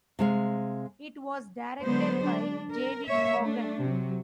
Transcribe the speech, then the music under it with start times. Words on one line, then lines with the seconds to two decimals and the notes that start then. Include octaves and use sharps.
It was directed by David Hogan.
0.19 C3 G#3 F5
1.82 D3 F#3 G#3 B3 C5
2.24 D4
2.71 A#4
3.07 A#3 C#5 E5
3.39 A3 D4
3.81 C3 F#3